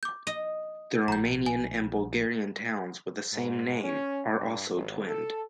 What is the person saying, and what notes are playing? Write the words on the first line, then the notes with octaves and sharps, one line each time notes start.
The Romanian and Bulgarian towns with the same name are also twinned.
D6 G6
D#5
A#1 A#5 G6
G#5
G#2
C#4
G2
G#1
A4